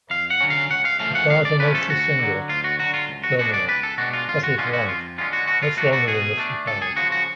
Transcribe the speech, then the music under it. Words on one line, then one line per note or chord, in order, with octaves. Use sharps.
The flowers are mostly single, terminal, petals white, much longer than the sepals.
F2 F5
F#5
D3 F#3 C#4
F5
C#2 F#5
F5
C#3 F3 A3 C#4 F5
F#5
C#2 F5
D5
C#3 F3 A3 C#4 B4
A4
D2 F#4
D3 F#3
D2 F4
F#4
D3 F#3 F#4
F4
C#2
F#4
B2 G#3 D4 F#4
D5
C#2 B4
A4
B2 G#3 D4 F#4
F4
F2 F4
F#4
D3 G#3 C#4 F4
F#4
F2 F4
D3 G#3 C#4 F4
F#4
B2 F#4
F4
A3 D4 F#4
F#4
B2 G#4
A3 D4
C#2 A4
G#4
C#3 F3 F#4
F#4